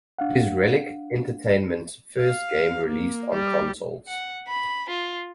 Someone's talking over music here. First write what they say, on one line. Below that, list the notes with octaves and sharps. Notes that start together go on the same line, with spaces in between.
It is Relic Entertainment's first game released on consoles.
D4 F5 F#5
F5
A#3
G3
F#5
B5
F4